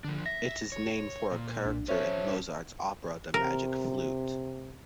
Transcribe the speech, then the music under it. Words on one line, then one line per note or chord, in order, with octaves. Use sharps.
It is named for a character in Mozart's opera, "The Magic Flute".
D3 F3 D4
E5 A#6
C#5
A#2
B1 D4
C#4 A4 C5 C#5 E5
C3 A#4